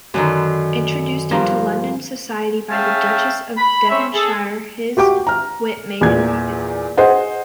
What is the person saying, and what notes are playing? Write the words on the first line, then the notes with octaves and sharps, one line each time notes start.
Introduced into London society by the duchess of Devonshire, his wit made him popular.
F#2 D3 D#3
G2 F3 D4 A#4
C#4 G#4 E5 F5 G5 A5
B5
C4 C#4 C#5 E5
G#4 A4
F#4 G4 G5 D6
A#5 F6
E2 A#2 G#6
G#4 C5 D#5 F#5